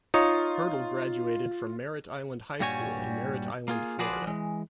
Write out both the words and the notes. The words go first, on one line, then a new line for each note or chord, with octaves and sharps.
Hurdle graduated from Merritt Island High School in Merritt Island, Florida.
D#4 F4 C#5
G2 A#2 G3 F#4 C#5 G#5
A#3 F4 G#4
F3 F#4 G#4 B4 C5 D5
E3 G#3